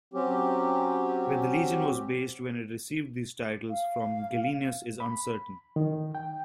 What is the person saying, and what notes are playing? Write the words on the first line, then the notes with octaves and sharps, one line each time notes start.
Where the legion was based when it received these titles from Gallienus is uncertain.
F#3 C4 C#4 G4
F5
B5
D#3
G5